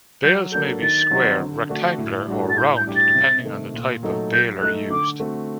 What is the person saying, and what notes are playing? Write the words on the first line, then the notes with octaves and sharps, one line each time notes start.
Bales may be square, rectangular, or round, depending on the type of baler used.
F#3 G6
A#3 D4 F#4 A4 G6
D#3 A6
F#3 C4 D#4 F#4
D3
A3 D4 F#4
A2
G3 D4 F#4 A4
A6
A2 G6
G6
G3 D4 G4
A6
C3
D#3 A3
A#2
F#3 A3 D#4 A4
F#3 G6
A3 D#4 A4 F#6
D3 D6
A3 C4 F#4